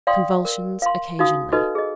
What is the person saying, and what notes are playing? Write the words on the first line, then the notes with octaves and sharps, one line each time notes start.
Convulsions occasionally.
D5 F5 G5 C6 D#6
A#4
F5 C6
D#4 F#4 F5 D#6
D#4 F#4 A4 B4 D#5
G#4 D#5